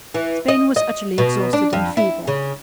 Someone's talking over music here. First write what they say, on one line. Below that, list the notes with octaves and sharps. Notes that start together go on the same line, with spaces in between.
Spain was utterly exhausted and feeble.
E3
D#5
D#5
B2
D4
F2
E4
C#3